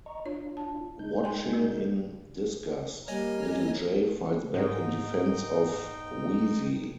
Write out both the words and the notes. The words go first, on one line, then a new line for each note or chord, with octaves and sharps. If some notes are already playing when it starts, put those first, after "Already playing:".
Watching in disgust, Little J fights back in defense of Weezie.
D#5 A#5 C#6
D4 F4 C#5
A5
G#3 D#4 G6
G5 G#5 C6
F#4 A#4
G3 A#3 C#5 D#5 G#5
G#2 D#4 G5